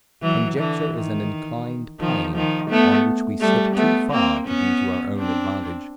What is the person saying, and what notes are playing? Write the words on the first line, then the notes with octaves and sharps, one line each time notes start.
Conjecture is an inclined plane, on which we slip too far to be to our own advantage.
E3 F#3
D3 E3
D#3
D#3 F3
D#3 F3
A3 B3
G3 A3
A3 B3
A#3 C4
B3 C#4
C4 D4